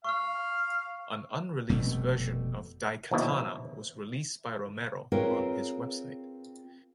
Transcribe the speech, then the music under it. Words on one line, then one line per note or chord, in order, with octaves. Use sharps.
An unreleased version of "Daikatana" was released by Romero on his website.
F5 C#6 F6
F1 B2 G3 A3
A#1 D#2 B2 E4
C4 F4 G#4 A#4 B4 C#5